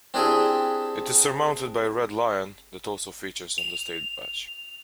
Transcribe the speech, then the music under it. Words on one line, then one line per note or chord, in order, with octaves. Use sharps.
It is surmounted by a red lion that also features on the State badge.
C4 D4 E4 G4 G#4
F7